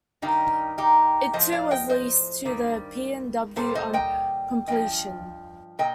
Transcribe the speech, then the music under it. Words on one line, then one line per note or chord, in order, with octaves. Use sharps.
It too was leased to the P and W, on completion.
G2 D#3 G3 D#4 G4
D#4 G4
A2 F3 C5 D#5
D5 F5
D#5 G5
C5 D#5
G2 D#3 G3
A#2 G3 A4 C5
C5 D#5
D#5 G5
G2 F3 D#5 G5
A#2 D#5 G5